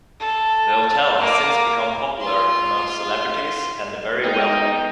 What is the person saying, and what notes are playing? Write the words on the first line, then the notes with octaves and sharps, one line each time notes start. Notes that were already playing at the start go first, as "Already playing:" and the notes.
The hotel has since become popular among celebrities and the very wealthy.
A4
A5
A#3 D6
F4 C6
G#3 B3 D#4 D#5 G5